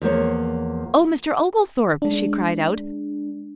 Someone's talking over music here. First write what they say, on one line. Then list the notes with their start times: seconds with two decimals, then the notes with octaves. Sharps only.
"Oh, Mr. Oglethorpe!" she cried out.
0.01 E2 F3 A#3 C#5
2.02 G#3 D4